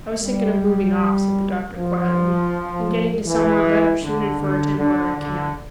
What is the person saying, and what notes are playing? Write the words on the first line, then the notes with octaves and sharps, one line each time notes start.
"I was thinking of moving off," said the doctor quietly, "and getting to somewhere better suited for a temporary camp."
G3
F3
E3
D3
D3
D3
D3